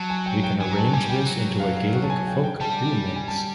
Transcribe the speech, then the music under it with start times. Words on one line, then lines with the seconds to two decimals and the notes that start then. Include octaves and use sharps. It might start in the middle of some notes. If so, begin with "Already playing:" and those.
We can arrange this into a Gaelic folk remix.
Already playing: F#3 A5
0.10 G#5
0.26 G5
0.43 G5
0.60 F#3 G#5
0.71 A#5
0.77 A5
0.93 G3 G#5
1.10 G5
1.26 F#3
1.60 F5
1.77 F5
1.94 F#5
2.04 A5
2.10 G#5
2.27 G5
2.44 G5
2.60 G3 A5
3.16 G#5
3.28 A5